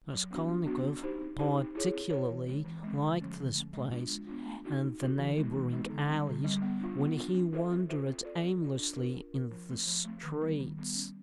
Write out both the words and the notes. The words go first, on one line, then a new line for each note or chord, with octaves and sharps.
Raskolnikov particularly liked this place and the neighbouring alleys, when he wandered aimlessly in the streets.
F#3
B3 D4 F#4
F#3
B3 D4 F#4
C4
D#4 G4 C5
C4
D#4 G4 C5
C4
E4 G#4 C#5
C4
E4 G#4 C#5
E3
G#3 C4
E3
G#3 C4
D3
F3 A3 C#4
D3
F3 A3 C#4
G#3
B3 D4 F4
G#3
B3 D4 F4
A3
C4 D#4 F#4 A4
A3
C4 D#4 F#4 A4
E3
G#3 B3 D#4
E3
G#3 B3 D#4
D3
G3 C4
D3
G3 C4
B3
D4 F4
B3
D4 F4
C4
F4 A4 C5 E5
C4
F4 A4 C5 E5
C4
F4 A4 D5
C4
F4 A4 D5
D4
A#4
F4
D4
F4 A#4
F3
A3 C4
F3
A3 C4
D#3
G3 B3
D#3
G3 B3
C#4